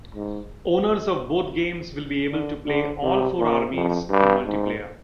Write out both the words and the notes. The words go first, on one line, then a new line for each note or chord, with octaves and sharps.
Owners of both games will be able to play all four armies in multiplayer.
G#2
D3
D3
C3
A#2
F2
G2
G#2